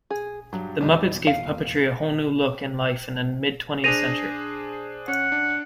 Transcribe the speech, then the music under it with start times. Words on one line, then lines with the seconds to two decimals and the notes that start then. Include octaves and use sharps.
The Muppets gave puppetry a whole new look and life in the mid-twentieth century.
0.10 G#4
0.53 G2 F#3
0.81 F1 E2 A#2 G3 D#4
1.27 F5
3.84 D4 G#4 C5 A#6 D#7 F7
5.08 C#4 F#5
5.32 D4